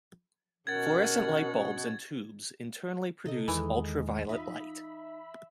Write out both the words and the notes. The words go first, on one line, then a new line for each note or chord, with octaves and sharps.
Fluorescent light bulbs and tubes internally produce ultraviolet light.
B2 C#4 A#4 F#5 G#6 A6
C3 D#4 A4 D#5
E2 D#3 E3 G#3
D#4 F4 E5 B5